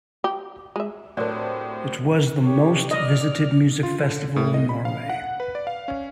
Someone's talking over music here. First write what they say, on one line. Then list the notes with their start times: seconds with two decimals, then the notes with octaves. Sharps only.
It was the most visited music festival in Norway.
0.24 G4
0.76 G#3 E5
1.17 A2 F#3 C4 D4 G4 A#4 C5 D5
2.46 G4 C#5
2.91 D5 D#5 F6
3.83 F4
3.99 D3
4.36 A2
4.54 D#5
4.69 B5
4.85 F5
5.09 F#5
5.40 B4
5.55 D5
5.67 F5
5.88 C#4